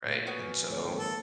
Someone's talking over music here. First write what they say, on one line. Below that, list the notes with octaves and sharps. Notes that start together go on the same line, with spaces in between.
Right, and so,
A#2 A3
B3 C#4 F#4
D2 C#5
D#3 G#3 A#3
A4